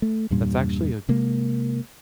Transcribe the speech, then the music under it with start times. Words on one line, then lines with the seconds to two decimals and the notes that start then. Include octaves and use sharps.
that's actually a
0.02 A3
0.30 E2 G2 A#2 G3
1.09 C3 G#3 A#3